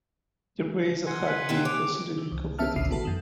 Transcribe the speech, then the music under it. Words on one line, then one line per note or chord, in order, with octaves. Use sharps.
The race had been considered competitive.
F#5 G#5 C6
B4
D#2 C3 E5
C#5 D6
E3
C2
B3 C#4 E5 A5 F6
G#1 C#2 B2 D3 E5 C7
B3 F#4 A4
F#2 D#3